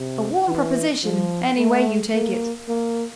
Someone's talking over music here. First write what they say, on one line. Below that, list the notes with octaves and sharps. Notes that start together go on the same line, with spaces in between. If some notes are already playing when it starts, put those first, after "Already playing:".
A warm proposition any way you take it.
Already playing: C3
E3
F3
A3
A#3
A#3